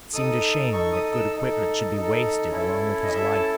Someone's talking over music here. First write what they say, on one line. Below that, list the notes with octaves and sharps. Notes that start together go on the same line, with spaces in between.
It seemed a shame that good equipment should be wasted along with his life.
D#4 A4 D#6
D#4 A4 C#6
D#6
E6
D#4 A4
D#4 A4
C#4 E4 A4
D#5
C#4 E4 A4 E5
A5